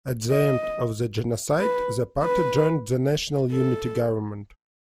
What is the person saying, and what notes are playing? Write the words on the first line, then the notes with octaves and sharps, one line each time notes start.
At the end of the genocide the party joined the national unity government.
D#5
B4
B4
A4